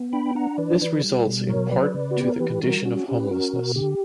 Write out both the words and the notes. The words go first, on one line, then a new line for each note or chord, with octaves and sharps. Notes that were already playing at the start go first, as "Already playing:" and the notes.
This results in part to the condition of homelessness.
Already playing: B3
D4 G5 B5
G5
D4 F#5 A#5
E3 B4 D5
E3 B4 D5
G3
B2
F#3 A#4 C#5
F#3 B4 D5
C#3
F#4
B3 G4
A#4
E3 G4 B4
G3 F#4 A#4
C#4 F#4
C#4 G4
B4
C#4 F#4 A#4
B2
D3 G4